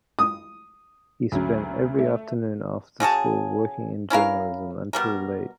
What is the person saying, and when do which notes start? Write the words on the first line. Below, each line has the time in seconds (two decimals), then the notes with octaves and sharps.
He spent every afternoon after school working in journalism until late.
0.19 D#6
1.32 D2 F#3 C#4
1.98 A3
3.00 C#3 F#4 G#4 A5
4.10 C#4 E4 A#4 F5
4.93 B2 G3 A#4